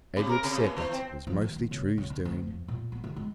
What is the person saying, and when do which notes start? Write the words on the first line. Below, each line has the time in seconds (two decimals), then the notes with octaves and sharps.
Edred said that it was mostly True's doing.
0.17 C3
0.29 A#4
0.44 C3
0.64 A#2
0.77 E3
0.92 C4
1.27 F3
1.42 D#3
1.56 B3
1.71 C#3
1.98 C#3
2.10 D3
2.25 D2
2.47 F2
2.68 A#2
2.92 B3
3.04 D3
3.16 G#3